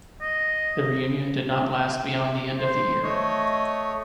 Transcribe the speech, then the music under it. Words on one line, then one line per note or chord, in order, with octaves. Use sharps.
The reunion did not last beyond the end of the year.
D#5
C5
A3 C#5 D#5